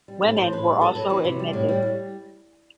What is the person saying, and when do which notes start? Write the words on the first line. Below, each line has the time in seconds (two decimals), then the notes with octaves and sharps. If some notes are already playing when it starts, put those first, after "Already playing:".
Women were also admitted.
0.08 G3
0.22 A2 A4
0.37 A2 C5
0.52 A2 B4
0.67 G3
0.81 F#3 A4
0.95 F#3 B4
1.10 E3 F#4
1.25 C3
1.39 G3
1.53 A2
1.69 G3
1.82 G3